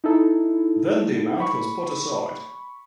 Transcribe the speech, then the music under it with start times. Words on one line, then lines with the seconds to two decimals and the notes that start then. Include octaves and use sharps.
Then the amount was put aside.
0.04 D#4 E4 A4
1.40 B5 C#6